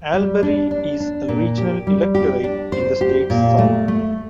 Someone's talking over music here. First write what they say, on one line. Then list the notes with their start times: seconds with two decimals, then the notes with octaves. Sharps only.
Albury is a regional electorate in the state's south.
0.14 G3
0.43 D4
0.71 D4
1.00 D4
1.28 A#2
1.58 G4
1.87 G3
2.15 G4
2.44 D4
2.72 C5
3.01 G4
3.30 A#2
3.58 A3
3.88 A3